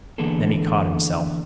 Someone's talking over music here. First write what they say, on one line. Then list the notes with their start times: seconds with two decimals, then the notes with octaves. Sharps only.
Then he caught himself.
0.18 D3 E3 A#3 B3 G#4 A4